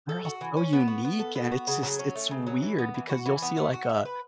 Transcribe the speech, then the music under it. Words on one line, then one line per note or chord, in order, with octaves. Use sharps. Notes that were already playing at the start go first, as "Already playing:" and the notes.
they're all so unique, and it's just it's weird because you'll see, like, a
A4
F#4
E3
C#4
B3
F#4
B3
A4
B3
F#4
C#3
F#3
C#4
A3
C#3
F#3
E3
B3
E3
F#4
E3
B3
A3
F#4
E5
B4